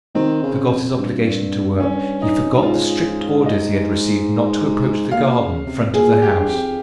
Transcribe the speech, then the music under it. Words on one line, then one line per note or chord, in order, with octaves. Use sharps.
He forgot his obligation to work; he forgot the strict orders he had received not to approach the garden-front of the house.
D#3 C4
C#3
F2
G2
C#4
D#4
F2
G2
G#2 F4
D#5
A#2 F5
C#3
C3
A#2 G#4
G4
G2
F2 G4